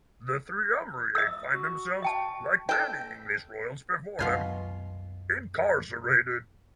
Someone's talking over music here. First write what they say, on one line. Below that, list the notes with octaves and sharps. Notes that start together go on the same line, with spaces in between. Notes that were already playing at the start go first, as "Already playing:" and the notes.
The Triumvirate find themselves-like many English Royals before them-incarcerated.
D#5 E6
F#4
D#5 G5 A5
A4 G5
C2 F#2 B2 F#3 F4 G#5